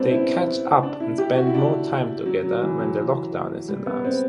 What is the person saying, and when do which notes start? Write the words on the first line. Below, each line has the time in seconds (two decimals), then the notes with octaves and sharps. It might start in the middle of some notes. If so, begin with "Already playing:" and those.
They catch up and spend more time together when the lockdown is announced.
Already playing: G3 B3 C4 D4
0.11 E4
0.83 D4
1.00 E4
1.18 G4
1.36 F#4
1.47 E4
1.54 D4
2.26 F#3
2.43 F#3
2.61 E3
2.79 F#3
3.68 G3
3.86 B3
4.04 C4